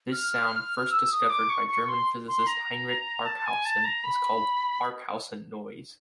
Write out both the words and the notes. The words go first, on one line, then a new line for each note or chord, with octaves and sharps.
This sound, first discovered by German physicist Heinrich Barkhausen, is called Barkhausen noise.
F6
E6
D#6
D6
C#6
C#6
C6
C6
A#5
A5
G#5
A5
A#5
B5